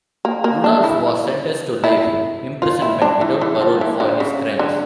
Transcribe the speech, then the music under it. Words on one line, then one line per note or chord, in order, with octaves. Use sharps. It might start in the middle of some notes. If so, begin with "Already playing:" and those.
Rudolph was sentenced to life imprisonment without parole for his crimes.
A#3
A#3
D4
E4
E4
F4
E4
D4
E3
E3
F3
E3
D3
C#3
D3